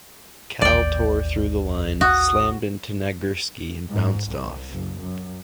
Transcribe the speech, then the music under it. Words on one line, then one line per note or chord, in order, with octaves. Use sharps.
Cal tore through the line, slammed into Nagurski and bounced off.
A1 D#2 D5 G5
F#4 D#6
G#2
C2
F#1
F#2